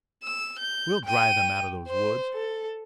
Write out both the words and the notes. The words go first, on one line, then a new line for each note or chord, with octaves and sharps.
"We'll drive them out of those woods."
E6
G6
G5 D#7
C5
A4